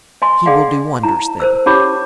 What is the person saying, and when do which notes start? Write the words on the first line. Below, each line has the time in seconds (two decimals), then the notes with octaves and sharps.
"He will do wonders then."
0.22 D#5 G#5 C6
0.46 G#4 D5 D#5 F5 F#5
1.03 E4 A#5
1.40 A#4 C5 E6
1.66 C#4 E4 G4 C#5 B5 D6